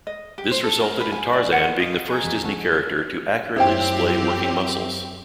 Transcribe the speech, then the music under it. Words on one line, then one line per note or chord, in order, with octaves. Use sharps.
This resulted in Tarzan being the first Disney character to accurately display working muscles.
D#5
G4
C5
A4
A#4
B4
G#5
D5
F#5
D#5 F5
G#4 D#5 A#5
E1 F2 B6
C#2 C#3 F#4 A4
F#2 C4 E4 G4 C5 G5